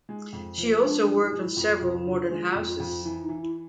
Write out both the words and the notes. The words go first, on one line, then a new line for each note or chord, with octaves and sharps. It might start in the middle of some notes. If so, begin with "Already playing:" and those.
She also worked on several modern houses.
G#3
F2
F3
G#3 D4
D4
F3
D#4
G#3
E4
F2 F4
F2
D3
G#3
F2
F2
E3 E4
D#4
E3
E4